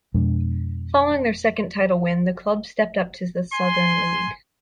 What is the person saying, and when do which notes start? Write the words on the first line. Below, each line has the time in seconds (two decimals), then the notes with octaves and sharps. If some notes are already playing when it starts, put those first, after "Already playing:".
Following their second title win, the club stepped up to the Southern League.
0.14 F2 B2 G#3 D4
3.53 G#5 C6